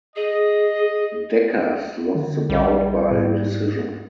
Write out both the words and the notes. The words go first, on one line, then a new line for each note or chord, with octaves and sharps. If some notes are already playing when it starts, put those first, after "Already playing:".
Dekkers lost the bout by decision.
G#4 D#5
D3
A#1 G3
G#2